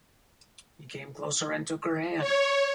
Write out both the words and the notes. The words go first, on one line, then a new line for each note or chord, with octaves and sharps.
He came closer and took her hand.
C#5